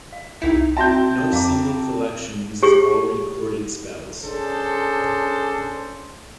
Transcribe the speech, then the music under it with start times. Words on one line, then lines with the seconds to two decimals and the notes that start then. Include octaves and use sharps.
No single collection uses all recorded spells.
0.12 F5
0.42 C2 D#4 E4
0.77 C4 F#4 E5 G5 A5 G6
1.33 F2 F5 A#5 D6
2.63 G4 G#4 C#6
4.23 C#4 D4 G#4 A4 C5